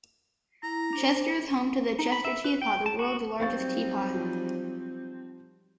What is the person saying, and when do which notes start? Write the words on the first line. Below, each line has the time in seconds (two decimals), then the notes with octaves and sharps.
Chester is home to the Chester teapot, the World's Largest Teapot.
0.63 E4 A#5
0.93 D4 C5
1.99 D#4
2.12 B5
2.25 E5
2.44 B4
2.62 G5
2.86 A5
2.99 F#4
3.40 F#3 G3 C4 D#4 F5 C#6 A6
4.15 F3